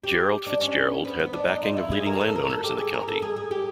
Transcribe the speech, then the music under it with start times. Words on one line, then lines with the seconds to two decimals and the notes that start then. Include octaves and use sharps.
Gerald Fitzgerald had the backing of leading landowners in the county.
0.04 G4
0.47 D4
0.61 C#4
1.05 B3
1.19 B3
1.33 D4
1.48 D#4
1.63 F4
1.77 E4
1.92 G#4
2.06 A#4
2.21 A4
2.36 A#4
2.50 A4
2.64 G4
2.78 G#4
2.94 A#4
3.08 A4
3.22 G#4
3.36 G#4
3.51 G4